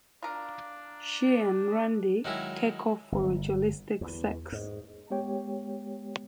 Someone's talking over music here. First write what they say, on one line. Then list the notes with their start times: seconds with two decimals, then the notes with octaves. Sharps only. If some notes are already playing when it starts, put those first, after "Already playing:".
She and Randy take off for ritualistic sex.
0.22 D4 F4 A#4
2.25 D#3 F#3 G#3 E4
3.12 G1
4.01 E2
4.52 G#2
5.11 G#3 B3 G4 C#5 G5